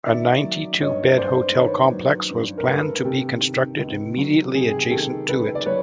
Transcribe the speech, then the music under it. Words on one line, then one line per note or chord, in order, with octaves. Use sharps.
A ninety-two bed hotel complex was planned to be constructed immediately adjacent to it.
D#3 D5 E5
F#3
G2 C#5 D#5
G2 C5 D5
D#3 B4 C#5
F#3
G2
A#4
G2 A4 B4
C3 G4 A4
D#3
C#2
F#3
C3 G#4
G4
G#4
D#3 G4 A4
C#2 A4 B4
D5
F#3 B4 C#5